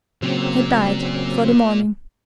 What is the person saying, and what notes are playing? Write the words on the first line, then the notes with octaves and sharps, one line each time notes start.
He died before the morning.
A#2 C#3 F#3 C4